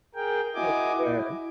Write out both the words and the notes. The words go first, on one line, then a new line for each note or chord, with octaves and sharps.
Oh, man.
G#4 A#4 G5
E4 F#4 D#5 G#5 D6
E4